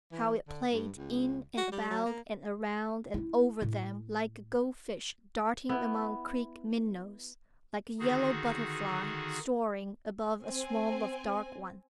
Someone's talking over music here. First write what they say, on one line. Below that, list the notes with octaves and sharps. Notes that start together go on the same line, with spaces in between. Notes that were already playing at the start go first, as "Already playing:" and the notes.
How it played in and about and around and over them, like a goldfish darting among creek minnows, like a yellow butterfly soaring above a swarm of dark ones.
E3
D3
G2
C#2
F#4
G3
F#3
A#3
C#4 E4
A2
B3 E4
D3 D#3 D#4 F#4 G#4
C4 G#5